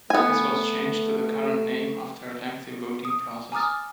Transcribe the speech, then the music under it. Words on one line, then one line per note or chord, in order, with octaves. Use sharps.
This was changed to the current name after a lengthy voting process.
A3 B3 G#5
D#6
G#5 A#5 D6 D#6 F6 A6